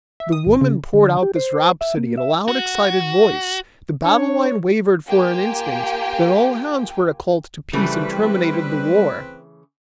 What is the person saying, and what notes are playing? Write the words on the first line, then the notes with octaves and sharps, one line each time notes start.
The woman poured out this rhapsody in a loud excited voice, the battle-line wavered for an instant, then all hands were recalled to peace and terminated the war.
E5
D#6
G#1
C#3
D3
G4
C5
E5
A#3
E5
F#4
D4 C#5
A#3 F4 G4 G5 G#5
C#3 E3 G3 A3 C4 B4